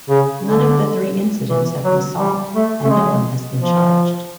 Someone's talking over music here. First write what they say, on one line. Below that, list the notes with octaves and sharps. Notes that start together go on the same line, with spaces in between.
None of the three incidents have been solved and no one has been charged.
C#3
D3
E3
F#3
G3
A3
A3
G#3
F3